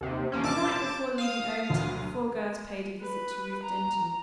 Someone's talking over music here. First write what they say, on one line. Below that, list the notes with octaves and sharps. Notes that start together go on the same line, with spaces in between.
The night before leaving Overton the four girls paid a visit to Ruth Denton.
D#2 C3
F3 A#3 C#4
F1 D4 A5 D6 E6
G6
F5 D#6
D2
B4
A#5